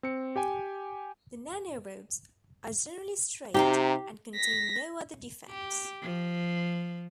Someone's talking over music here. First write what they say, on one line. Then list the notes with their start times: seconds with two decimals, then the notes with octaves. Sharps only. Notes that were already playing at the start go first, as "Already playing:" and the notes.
The nanorods are generally straight and contain no other defects.
0.03 C4 C#7
0.36 G4 G5 G#5
3.54 C3 D#4 G4 F5 A#5
4.35 A#6 B6
5.50 G4
6.03 F3